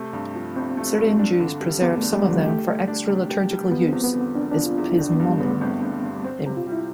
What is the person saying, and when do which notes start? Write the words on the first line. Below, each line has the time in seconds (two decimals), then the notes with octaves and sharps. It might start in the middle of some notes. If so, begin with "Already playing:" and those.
Syrian Jews preserve some of them for extra-liturgical use as pizmonim.
Already playing: C3 A3 C4
0.13 G2
0.35 F3
0.56 G1 C4
0.77 A3
0.98 G2
1.19 D4
1.40 D3
1.61 G3
1.82 E2 B3
1.98 A3 D4
2.13 G3
2.25 D3 F3
2.46 A3 G4
2.66 G3
2.88 D4
3.09 C3
3.29 G4
3.51 G3
3.71 F3 B3
3.88 E2 C4
4.04 B3
4.13 D3
4.35 E1 D4
4.51 F3 D4
4.66 F4
4.78 E2 E4
4.99 G1 D4
5.14 B3
5.20 G2
5.30 G3
5.40 D3 B3
5.45 A3
5.61 G1 C4
5.82 G1
6.03 G2
6.24 C4
6.46 C3
6.57 F4
6.67 G3
6.72 E4